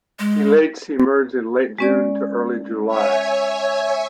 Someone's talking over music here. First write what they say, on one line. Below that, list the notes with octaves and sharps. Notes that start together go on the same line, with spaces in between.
Alates emerge in late June to early July.
G#3
G#3 C#4 D5
C#5 E5 G#5